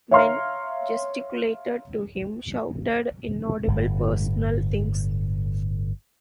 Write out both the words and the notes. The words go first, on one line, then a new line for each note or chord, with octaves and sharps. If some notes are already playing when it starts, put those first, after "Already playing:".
Men gesticulated to him, shouted inaudible personal things.
C#5 E5 F5 A#5 C6 F6
G1 A2